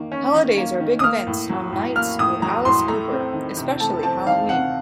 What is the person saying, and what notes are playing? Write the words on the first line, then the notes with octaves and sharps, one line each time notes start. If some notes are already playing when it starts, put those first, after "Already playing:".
Holidays are big events on "Nights with Alice Cooper", especially Halloween.
Already playing: D#3 A#3
C#4
D#3
A#3
D#3
D#6
A#3 F6
A2
F#3
A2
A#3 F6
A2 D#6
F#3 A#5
A2 C6
A3 A#5
C4
D#3
C3
A3 A5
C4 A5
D#3 F5
C3 F#5